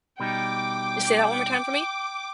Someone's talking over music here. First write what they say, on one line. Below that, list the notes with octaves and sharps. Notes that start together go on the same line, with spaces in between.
Say that one more time for me.
B2 G3 D#4 G5 D6